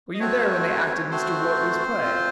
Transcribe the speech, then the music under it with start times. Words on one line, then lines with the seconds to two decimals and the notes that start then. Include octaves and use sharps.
Were you there when they acted Mr. Wortley's play?
0.14 D#5
0.20 A3 C4 F#4 C#5
1.11 A3 C4 F#4 C5
2.02 C4 F4